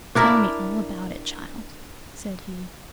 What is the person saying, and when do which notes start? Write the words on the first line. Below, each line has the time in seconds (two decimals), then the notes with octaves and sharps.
'Tell me all about it, child,' said he.
0.15 D4 E4 A#4 D5